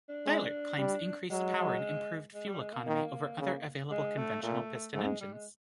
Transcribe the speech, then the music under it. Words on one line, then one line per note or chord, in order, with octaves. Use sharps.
Thielert claims increased power and improved fuel economy over other available conventional piston engines.
D4
G#3
G3
F#3 G#3
G#3
G3
G#3
A#3
D#3
C#3
G#3
A3
A#2 A3
G#2 A3
G#3
G3
G#3